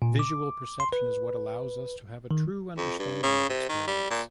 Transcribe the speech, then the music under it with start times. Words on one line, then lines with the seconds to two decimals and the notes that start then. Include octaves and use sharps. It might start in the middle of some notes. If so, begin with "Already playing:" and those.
Visual perception is what allows us to have a true understanding of experience.
0.02 A#2
0.19 D6
0.80 C6
0.93 B4
2.31 D#3
2.78 F2
2.99 G2
3.23 C#3
3.49 C3
3.69 D#3
3.87 G3
4.10 A#2